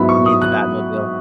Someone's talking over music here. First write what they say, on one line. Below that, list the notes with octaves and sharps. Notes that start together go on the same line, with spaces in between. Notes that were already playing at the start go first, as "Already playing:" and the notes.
Need the Batmobile.
Already playing: G#2 F#3 B3 E4 B5
C#6
D#6
F#6